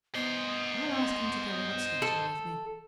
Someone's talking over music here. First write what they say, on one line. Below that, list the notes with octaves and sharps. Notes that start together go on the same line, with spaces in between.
'I'll ask him to go out sketching with me.
B3 C5 D#5
A4